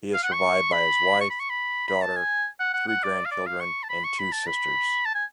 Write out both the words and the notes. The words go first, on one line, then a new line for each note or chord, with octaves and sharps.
He is survived by his wife, daughter, three grandchildren and two sisters.
F5
F#5
C#6
B5
C#6
B5
C#6
B5
B5
A5
G#5
F#5
F#5
F#5
D5
F5
D5
F5
C#6
A5
B5
C#6
B5
A5
B5
A5
G#5